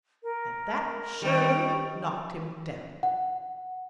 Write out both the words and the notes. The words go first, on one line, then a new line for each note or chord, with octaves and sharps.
At that Shirley knocked him down.
A#4
D#3 G3 G5
F#5